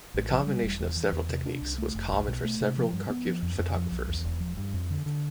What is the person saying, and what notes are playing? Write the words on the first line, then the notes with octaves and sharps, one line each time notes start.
The combination of several techniques was common for several Kharkiv photographers.
A1
F3
G3
E1
E2
E3
E2
C3
D4
C2
A3
F1
B1
B2
A3
C3
F3
G2
B3
F3
F2
F2
F3
B1
E2
E1
F3
G2
F2
D3
D3